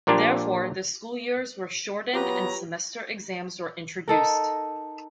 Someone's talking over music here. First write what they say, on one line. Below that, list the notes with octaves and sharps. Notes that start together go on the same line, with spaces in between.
Therefore, the school years were shortened and semester exams were introduced.
A#1 A#2 A#3 D4 F4 G4
F#3 B3 F4 G4 B4 A#5
D#4 A4 A#4